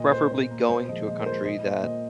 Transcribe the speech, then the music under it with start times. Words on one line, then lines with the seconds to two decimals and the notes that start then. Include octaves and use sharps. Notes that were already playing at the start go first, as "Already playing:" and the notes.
preferably going to a country that
Already playing: A#2 D#5
0.12 A#3 C5
0.31 A#2 C5
0.51 A#3
0.69 A#2 C5
0.88 F3 G#3 D#5
1.07 A#2 D#5
1.19 A#4
1.26 F3 G#3 C5
1.45 A#2 D#5
1.64 A#3 C5
1.83 A#2 D#5